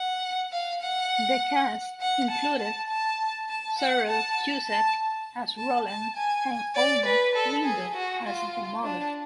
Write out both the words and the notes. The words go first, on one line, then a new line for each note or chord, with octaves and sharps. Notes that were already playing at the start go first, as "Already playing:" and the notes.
The cast included Cyril Cusack as Roland and Olga Lindo as The Mother.
Already playing: F#5
F5
F#5
F#5
A5
A5
A5
A5
F#5
A5
A5
A5
A5
G#5
D5
B4
A4
G#4
F#4
F4
D4